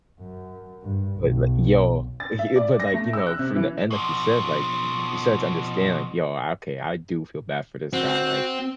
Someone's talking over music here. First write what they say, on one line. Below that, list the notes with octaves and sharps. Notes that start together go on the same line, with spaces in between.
But, like, yo, he, but, like, you know, from the end, like you said, like, he started to understand, like, yo, okay. I do feel bad for this guy. Like,
F#2
G2
B1
A6
E5
D5
A#6
A3
E6
F#6
C3
E3
B2 F3
C4 F#4 F#6